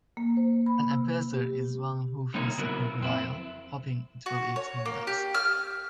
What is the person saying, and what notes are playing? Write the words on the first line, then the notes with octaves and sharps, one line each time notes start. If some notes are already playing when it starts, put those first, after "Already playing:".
An appeaser is one who feeds a crocodile – hoping it will eat him last.
A#3
C5
B5
C3
G4
D3 G3 A#3 D#4 C#5
C#3 F#3 B3 E4 F#4 A#4
F2 C4 E4
F#4
C#5
A#3
G4
F6